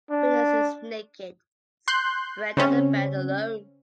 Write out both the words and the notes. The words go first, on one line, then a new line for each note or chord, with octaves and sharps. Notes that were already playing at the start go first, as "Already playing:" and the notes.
Venus is naked, spread on the bed alone.
D4
C6 F#6 G6
C#3 C4 C#4